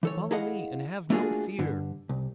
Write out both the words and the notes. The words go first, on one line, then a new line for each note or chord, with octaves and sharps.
"Follow me and have no fear."
E3 A4 C#5
E4 G#4 D#5 F5 F#5
A3 A#3 D4 F4 F#4 G#4
G2 D3
C2